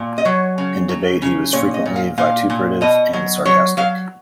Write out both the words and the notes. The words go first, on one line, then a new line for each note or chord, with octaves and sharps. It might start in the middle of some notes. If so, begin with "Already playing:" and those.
In debate he was frequently vituperative and sarcastic.
Already playing: A#2
D#5
F#3 C#5
C#3
F#3
C#3
A#2 C#5
D#5
A#2
F5
A#2 F5
A#2
B2 D#5
F#3
F#3 C#5
F#3 F5